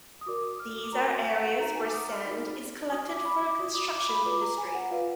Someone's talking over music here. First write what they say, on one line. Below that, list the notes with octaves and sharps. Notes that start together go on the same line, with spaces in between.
These are areas were sand is collected for construction industry.
D#6
F#4 A#4 D5 D6
D#6
F6
D6
F#4 A#4 D5 A#5
G#5
F#5
F#5
D#4 F#4 A#4 D5 A#5
G#5
D6
D#6
F6
D#4 F#4 A#4 D5
F#4 D5 D#6
D6
D6
B5
D6
F#4 D5 D#6
D6
D#6
D6
B5
F4 B4 D5 D6
A#5
G#5
F#5
F4 B4 D5 F5